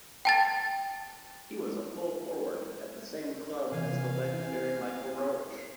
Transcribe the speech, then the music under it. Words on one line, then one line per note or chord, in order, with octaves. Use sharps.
He was a full-forward at the same club as the legendary Michael Roach.
G5 A5 A6
C3 E3 F5 G#5
E4